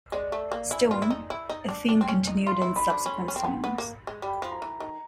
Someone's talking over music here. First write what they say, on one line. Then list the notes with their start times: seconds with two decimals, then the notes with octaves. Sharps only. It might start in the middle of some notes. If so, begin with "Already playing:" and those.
Stone, a theme continued in subsequent songs.
0.12 G#3 D5
0.32 A3
0.52 A#3
0.71 E4 G#5
0.91 F4
1.02 E4
1.10 D#4
1.30 E4
1.49 D#4
1.69 D4
1.89 D4
2.01 C4
2.08 C#4
2.27 D#4
2.47 F4 C6
2.62 E4
2.76 D#4 B5
2.90 D4
3.06 C#4
3.28 C#4
3.36 C4
3.44 B3
3.64 B3
3.78 A#3
4.07 G#3
4.22 G3 B5
4.42 F3
4.51 A#5
4.62 E3
4.80 D#3 A#5